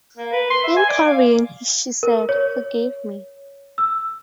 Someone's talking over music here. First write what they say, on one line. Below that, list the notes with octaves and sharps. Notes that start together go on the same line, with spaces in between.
In Korean, she said, Forgive me.
A#3
B4
C6
E5
G#5
D5
F5
A#4
C#5
E6